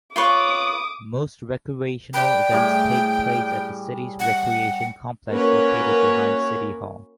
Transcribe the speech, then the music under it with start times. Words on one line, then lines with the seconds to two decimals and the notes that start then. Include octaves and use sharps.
Most recreational events take place at the city's recreation complex located behind City Hall.
0.16 F4 B4 C#5 D6 D#6
2.14 B4 D5 G5
2.51 A2 G3 G#4
4.20 F#5
5.30 A#3 C#4 F#4 A#4 B4 C#5